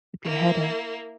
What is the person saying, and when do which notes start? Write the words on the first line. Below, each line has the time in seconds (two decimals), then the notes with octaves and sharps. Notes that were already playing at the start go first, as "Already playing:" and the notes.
Keep your head up.
0.25 A#3 E4